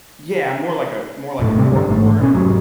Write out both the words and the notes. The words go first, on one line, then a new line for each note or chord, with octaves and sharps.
Yeah, more like a more like a corkboard.
D1 A2 A3
A2 C3 G3
G2 D3
A1 G#2 A3
B2 C4 C#4
F1 G#2 F#3